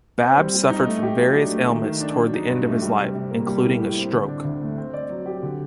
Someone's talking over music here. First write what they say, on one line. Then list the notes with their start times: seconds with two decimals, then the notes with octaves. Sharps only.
Babb suffered from various ailments toward the end of his life, including a stroke.
0.22 C4
0.38 G3
0.54 G3
0.70 D#4
0.87 A3
1.02 G4
1.20 F#3
1.36 D4
1.52 A3
1.68 D#3
1.84 D#3
2.00 D4
2.17 F#3
2.33 D#4
2.50 G2
2.66 A3
2.82 G3
2.98 C3
3.14 C3
3.31 A#3
3.47 G3
3.63 A2
3.79 A2
3.96 C4
4.12 D3
4.29 D4
4.45 D2
4.61 A3
4.78 C4
4.94 D5
5.10 F#3
5.26 G4
5.43 D3